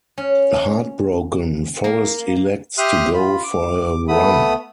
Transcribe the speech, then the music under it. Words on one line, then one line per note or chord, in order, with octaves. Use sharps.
Heartbroken, Forrest elects to go for a run.
C#4
A#3
G4 E5 C6 D#6 F6 F#6
F4 B5
D6
A3 B3 B5 D#6